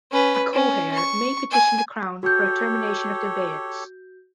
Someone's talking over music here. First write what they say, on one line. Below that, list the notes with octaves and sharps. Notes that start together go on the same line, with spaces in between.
A co-heir may petition the Crown for a termination of the abeyance.
C#4 B4
C#4
C#6
G#5
F#4 G4 A4 C#5 G6